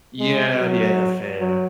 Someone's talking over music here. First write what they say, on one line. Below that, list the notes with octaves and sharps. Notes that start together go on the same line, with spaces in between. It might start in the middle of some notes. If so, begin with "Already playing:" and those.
Yeah, yeah, fair.
G#3
F#3
F#3